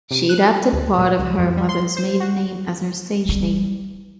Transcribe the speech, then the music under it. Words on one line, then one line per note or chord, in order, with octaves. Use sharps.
She adapted part of her mother's maiden name as her stage name.
C3
F#6
G3
D2
A#2
C#2
F2
G3
C6
C5
F#4
G3